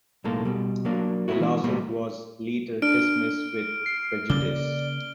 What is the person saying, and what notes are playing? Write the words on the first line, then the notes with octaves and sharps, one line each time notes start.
The lawsuit was later dismissed with prejudice.
B1 A2 G#3 A#3 A4
B2 G3
F#3 A#3 D4
G#3 A3 B3 C4 E4 F#4
E3 G#3 D4
A#2 G3 G#3 A#3 B3
D4 F6 D7
C7
C#3 A#3 D5 G7